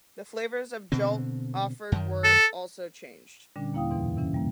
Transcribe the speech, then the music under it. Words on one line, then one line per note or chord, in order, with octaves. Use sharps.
The flavors of Jolt offered were also changed.
B2 D3 C4
F#2 D#3
A4
A#2 D3 G3 C#4 D4
D#2 A#3 E4 F5 G5 D#6
F2 G#2 B2 E3
C3 E3 C#4
G3 A#3